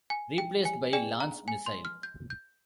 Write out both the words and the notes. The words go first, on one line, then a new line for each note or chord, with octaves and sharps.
Replaced by Lance missile.
G#5
G5
G#5
G#4 D5 G5 G#5
A#5
G#5
C6
F6
G6
G6